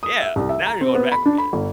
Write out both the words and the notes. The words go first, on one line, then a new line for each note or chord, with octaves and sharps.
Yeah, now you're going back a minute.
D#6
E5
C2
E5
A#5
C4
B3
B5
D4
B5
G1